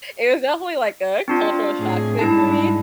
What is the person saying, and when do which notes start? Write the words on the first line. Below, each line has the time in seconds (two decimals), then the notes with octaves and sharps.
It was definitely like a cultural shock thing for me
1.28 C4 D4 F4
1.79 A2 G#4
2.19 G#2 G3 D4 E4 A5